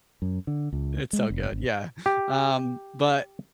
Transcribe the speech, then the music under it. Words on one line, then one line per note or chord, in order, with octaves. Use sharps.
it's so good, yeah. Um, but
F#2
D3
C#2
G#3
F1
G#1
G4